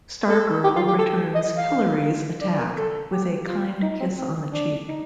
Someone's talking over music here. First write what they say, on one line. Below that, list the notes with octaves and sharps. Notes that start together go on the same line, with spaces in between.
Stargirl returns Hillari's attack with a kind kiss on the cheek.
A4
G4
F4
G4
A4
D#5
F5
D5
A#4
A4
G4
F4
D#4
C4
C4
D4
D#4